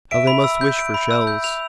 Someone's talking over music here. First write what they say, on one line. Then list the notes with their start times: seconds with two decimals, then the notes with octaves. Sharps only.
"How they must wish for shells!"
0.11 E5 D7
0.27 B5
0.44 E6
0.61 G6
0.78 D7
0.94 B5
1.11 E6
1.27 G6
1.44 F7